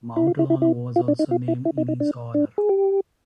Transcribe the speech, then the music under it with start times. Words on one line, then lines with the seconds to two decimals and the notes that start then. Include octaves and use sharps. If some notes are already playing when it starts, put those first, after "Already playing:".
Mount Llano was also named in his honor.
0.16 E4
0.27 F4
0.39 E4
0.50 E4
0.62 E4
0.96 F4
1.08 D4
1.19 D#4
1.31 F4
1.48 E4
1.65 E4
1.78 D#4
1.88 D#4
2.00 D4
2.34 D4
2.58 G#4
2.69 G4